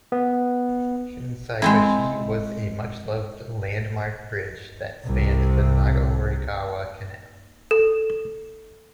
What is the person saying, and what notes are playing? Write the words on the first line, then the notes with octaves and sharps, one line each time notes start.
Shinsaibashi was a much loved, landmark bridge that spanned the Nagahori-gawa canal.
B3
G#3 C4 E4
C2 C3
A4